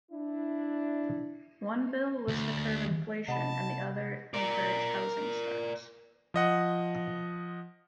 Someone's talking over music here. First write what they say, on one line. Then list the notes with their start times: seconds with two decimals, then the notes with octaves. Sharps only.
One bill was to curb inflation and the other encourage housing starts.
0.11 D4 E4
2.28 D2
3.28 C3 D#5 F#5 A5 B5
4.34 A#4 D5
6.34 F3 D#5 F#5